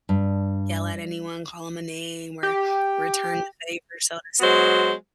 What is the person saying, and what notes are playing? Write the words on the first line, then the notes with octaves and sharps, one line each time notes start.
yell at anyone, call 'em, a name, or return the favor, so to say.
G2
G4
F#3 G#3 B3 F#4 C5